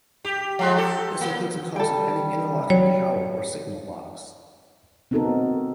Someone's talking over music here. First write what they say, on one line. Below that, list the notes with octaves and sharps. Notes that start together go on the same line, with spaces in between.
This includes the cost of any interlocking tower or signal box.
G4
F3 G#3
G4 A4
A#3
G3 A4 G5
F#3 C#5
B3 C4 D#4 F#4 A4 A#4